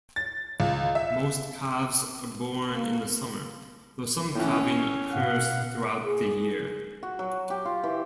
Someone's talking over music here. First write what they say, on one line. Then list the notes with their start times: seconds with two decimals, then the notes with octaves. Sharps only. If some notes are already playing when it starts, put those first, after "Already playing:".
Most calves are born in the summer, though some calving occurs throughout the year.
0.16 A6
0.60 C#2
0.95 E5
2.72 A#3
4.35 A2 E3 C#4
5.12 B2 F5 F#5
6.04 G#4
7.03 F#4
7.19 F#3
7.50 G4
7.65 F4
7.83 E3